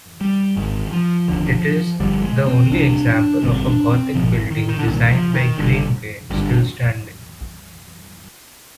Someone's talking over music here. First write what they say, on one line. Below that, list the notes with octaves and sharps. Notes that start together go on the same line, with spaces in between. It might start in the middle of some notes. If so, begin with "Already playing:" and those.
It is the only example of a gothic building designed by Greenway still standing.
G3
G#1 G#2 D#3
F3
F1 D#2 D3
G1 F2 D3 G3
G#3
C4
C2 C3 D4
D4
G#1 G2 D3 C4
D4
C4
G#1 G#2 F3
D#3
D#3
D3
C2 A#2 D#3
F3
D#3
G1 G2 D3
G#1 G2 D3